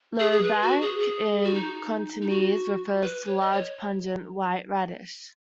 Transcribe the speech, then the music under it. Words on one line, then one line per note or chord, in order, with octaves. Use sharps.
"Lo bac", in Cantonese, refers to a large, pungent white radish.
G#4
G#4
B4
F#4
G#4
G#4
F#4
D#4
D#4
F#4
B4
C#5
D#5
C#5